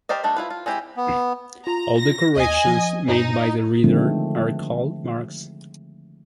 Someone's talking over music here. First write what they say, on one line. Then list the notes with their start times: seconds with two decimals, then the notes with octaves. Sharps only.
All the corrections made by the reader are called marks.
0.09 G4 A#4 C5 D5 D#5
0.23 G3 A3 D4 D#5
0.36 E4 F4 B4
0.50 F4
0.66 G#3 C4 E4 G4
0.97 B3
1.67 F4 A#5
1.98 A#6
2.37 D#2 D#5 G#5
2.67 F3
3.09 G2 D#4
3.84 D3 D#3 F3 G#3 A3 C4